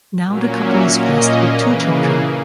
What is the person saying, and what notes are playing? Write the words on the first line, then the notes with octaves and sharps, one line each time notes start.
Now the couple is blessed with two children.
A#2 F#3 A#3 C#4
E5
A#2 A#3 C#4 D#5
C#3 E3 A#3 B4
G#4